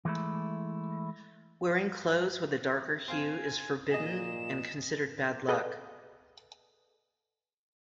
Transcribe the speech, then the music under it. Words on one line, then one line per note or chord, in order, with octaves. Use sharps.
Wearing clothes with a darker hue is forbidden and considered bad luck.
E3 G#3 A3 E4
C4 F5 G#5
A#2 G#4 D#5 E7
G#4 A4 B4 D5 D#5